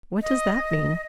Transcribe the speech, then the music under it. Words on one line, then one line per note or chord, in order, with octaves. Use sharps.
"What does that mean?"
D#5